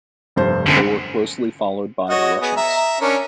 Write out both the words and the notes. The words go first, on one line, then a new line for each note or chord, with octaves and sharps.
They were closely followed by the Russians.
F1 G2 C5
F#2 D3
F#4 C#5 D#5
B3 G#4
E5 A#5
C#4 D4 A#4